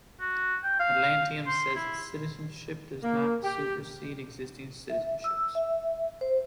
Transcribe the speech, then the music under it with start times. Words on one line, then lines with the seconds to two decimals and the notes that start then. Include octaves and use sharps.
Atlantium says its citizenship does not supersede existing citizenships.
0.20 F#4
0.63 G5
0.79 F5
1.47 C6
1.75 E4
3.03 A#3
3.43 G4
4.89 E5
5.24 E6
5.55 E5
6.21 C5